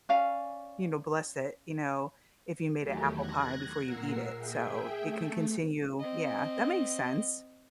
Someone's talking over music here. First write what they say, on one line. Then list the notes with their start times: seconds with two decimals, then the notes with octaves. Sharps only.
you know, bless it, you know, if you made an apple pie before you eat it, so it can continue Yeah, that makes sense.
0.09 C#4 D5 F5 G#5
2.81 E2 D#3 F#3 A3 G4
3.12 F#6 G#6 A#6
3.83 A#2 A#4 F#5 E6 C7
4.33 G#4 E5 G5
5.00 A3
6.00 C4 D#5